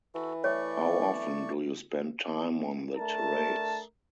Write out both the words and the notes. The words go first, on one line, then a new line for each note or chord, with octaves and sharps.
How often do you spend time on the terrace?
E3 F#4 A4
A3 C#5 D5 C#6
A3 D4 A#4 A5